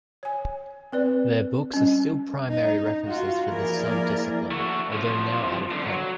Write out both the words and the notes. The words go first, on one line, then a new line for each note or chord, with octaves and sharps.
Their books are still primary references for this sub-discipline, although now out of print.
C#5 G#5
C4 B4 D5
G3 C#4
D#4
F4 F#4
F3 A#3 E4 G#4 A#4 D5
A3 F#4
C2 F3
G2 D3
F#3